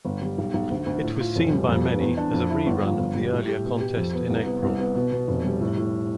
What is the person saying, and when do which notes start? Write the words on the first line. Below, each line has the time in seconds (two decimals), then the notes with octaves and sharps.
It was seen by many as a rerun of the earlier contest in April.
0.05 G1
0.22 G3
0.38 B1
0.54 B1
0.70 D2
0.86 D2
1.04 A2
1.20 F4
1.36 F1
1.53 G3
1.68 F2
1.85 B3
2.01 E2
2.17 D4
2.34 F2
2.50 E4
2.66 G1
2.83 F3
2.99 G1
3.15 G3
3.32 A2
3.48 G4
3.64 B2
3.80 G4
3.97 F2
4.13 B3
4.30 C2
4.46 B3
4.62 C2
4.79 B3
4.95 B2
5.12 B2
5.28 F1
5.44 G3
5.61 A2
5.77 A2